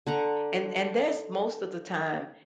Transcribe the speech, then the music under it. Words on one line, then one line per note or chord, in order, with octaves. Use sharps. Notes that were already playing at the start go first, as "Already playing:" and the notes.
and and that's, most of the time
D3 F#5 A#5